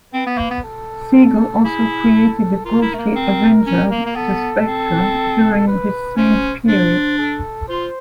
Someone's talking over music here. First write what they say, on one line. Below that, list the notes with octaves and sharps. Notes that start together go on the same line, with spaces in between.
Siegel also created the ghostly avenger The Spectre during this same period.
C4 B4
B3
A#3
B3
A4
E4 G#4
A4
F4 A#4
E4
A3
A#3
C4
C#4
A#3
A#3
B3 A4
C4
B4
C#4 C5
D4 C5
A4
F4 C5